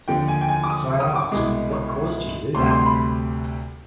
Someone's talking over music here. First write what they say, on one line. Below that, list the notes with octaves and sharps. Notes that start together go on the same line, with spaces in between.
So I asked: what caused you to do that?
D#2 D3 F3 G5
G#5
G5
G#5
D6
D#6
D#6
D6
C2 B2 G#3
D2 C3 G3 C6
C6
B5